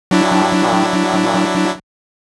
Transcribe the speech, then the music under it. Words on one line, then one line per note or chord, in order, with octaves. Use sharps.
Uh-huh, uh-huh,
F#3 D4 E4